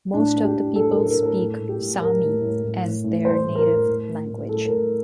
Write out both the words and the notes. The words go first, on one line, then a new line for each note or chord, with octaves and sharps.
Most of the people speak Sami as their native language.
A2 D4
A2
G4
A2
A2 A4
A#4
A2
A#4
A2
A#4
A2 A4
A2
G4
A2
A2 A#4
A2
A2
A2
A2
A2
A2 C5
A2
A#4
A2
A2
A2
A2
A2 A4
A#4
A2